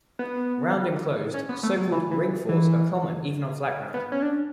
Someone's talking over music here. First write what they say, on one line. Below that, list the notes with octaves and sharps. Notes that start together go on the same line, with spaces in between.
Round and closed, so called, "ring forts" are common even on flat ground.
B3
C#4
B3
A3
F#3
E3
E3
E3
B3
C#4
D4